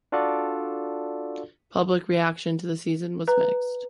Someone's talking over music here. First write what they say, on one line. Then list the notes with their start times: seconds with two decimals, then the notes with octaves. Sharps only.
Public reaction to the season was mixed.
0.12 D4 F4 F#4 A4 D5
3.28 B4 A#5